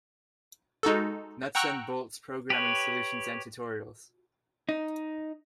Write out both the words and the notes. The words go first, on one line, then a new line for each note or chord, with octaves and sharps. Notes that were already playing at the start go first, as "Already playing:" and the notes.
Nuts-and-bolts programming solutions and tutorials.
G#3 D#4 F#4 A4
F#5 G5 A#5 C#6 E6 F#6
G4 B4 C#5
D#4